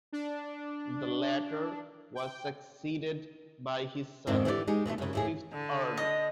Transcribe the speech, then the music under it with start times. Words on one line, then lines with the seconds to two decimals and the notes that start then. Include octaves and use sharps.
The latter was succeeded by his son, the fifth Earl.
0.12 D4
2.15 G5
4.27 F2 G#2 D3 D#3 C4 D4
4.45 D3 E3 G4 C5 D5
4.67 G#3 D#4 G4 G#4
4.86 B2 D3 G#3 A3
4.98 F#2 C#3
5.13 D#2 A2 G#4
5.53 D3
5.97 D#5